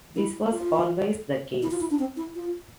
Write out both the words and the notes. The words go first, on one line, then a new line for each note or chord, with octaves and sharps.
This was always the case.
E4
F4
E4
F4
E4
D4
C4
E4
F4